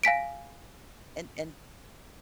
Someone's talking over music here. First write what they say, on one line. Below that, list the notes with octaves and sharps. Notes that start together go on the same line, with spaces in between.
and and
F5 G#5 B6 D7